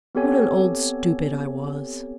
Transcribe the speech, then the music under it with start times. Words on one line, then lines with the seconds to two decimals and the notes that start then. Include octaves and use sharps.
What an old stupid I was!
0.15 B3 C4 G4 A4 C#5 G#5